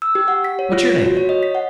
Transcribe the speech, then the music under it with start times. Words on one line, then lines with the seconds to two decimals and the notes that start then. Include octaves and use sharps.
What's your name?'
0.02 E6
0.15 G4
0.28 F#5
0.44 B6
0.59 C#5
0.72 F4
0.86 B6
1.04 F#4
1.17 C#5
1.29 D#5
1.43 B6
1.55 F#5